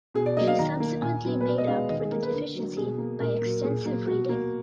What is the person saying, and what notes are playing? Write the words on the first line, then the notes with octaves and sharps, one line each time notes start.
She subsequently made up for the deficiency by extensive reading.
B2 G#4
D5
F#3 A#3 D#5
F5
D#3 A#5
A#3
A#2 G#5
F#3 B3
B4
B2 D5
D#5
G#3 B3 F5
D#3 D#5
G#4
A#3 A#4
B4
D3
F#3 A#3
B2 G#4
A#3
A#2 A#4
F#3 A#3
A#2 G#4
F#3 A#3
B2 F#4
A#3